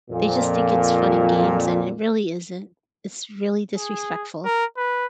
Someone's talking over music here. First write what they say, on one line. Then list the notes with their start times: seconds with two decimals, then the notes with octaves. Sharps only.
They just think it's fun and games, and it really isn't. It's really disrespectful.
0.11 F2 A#2
3.76 G#4
4.45 A#4
4.77 B4